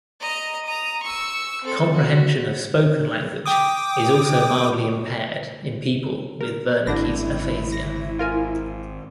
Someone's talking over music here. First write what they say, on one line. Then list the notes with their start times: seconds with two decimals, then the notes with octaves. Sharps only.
Comprehension of spoken language is also mildly impaired in people with Wernicke's aphasia.
0.20 D#5 A#5
0.65 A#5 D#6
1.03 C#6 E6
1.63 C4 A4
1.93 F#4
3.46 G5 D6 D#6
6.41 A#4
6.87 G#1 D3 D4 E4 A#6
7.72 A#6
8.19 F4 A#4 G#5